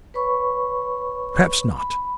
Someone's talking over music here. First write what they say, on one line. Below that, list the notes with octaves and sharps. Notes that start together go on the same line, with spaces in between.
Perhaps not.
B4 C#5 B5 C#6
B5